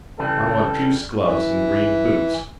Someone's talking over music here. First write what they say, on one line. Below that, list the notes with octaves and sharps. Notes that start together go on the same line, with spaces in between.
I want puce gloves and green boots.
C#3 E3 G3 A4
E3